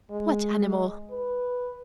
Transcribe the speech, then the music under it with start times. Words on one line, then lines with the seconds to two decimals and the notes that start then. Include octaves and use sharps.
"What animal?"
0.11 G#3
1.11 B4